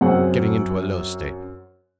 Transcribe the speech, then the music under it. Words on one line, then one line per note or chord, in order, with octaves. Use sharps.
You're getting into a low state.
F#2 C4 G#4 F#5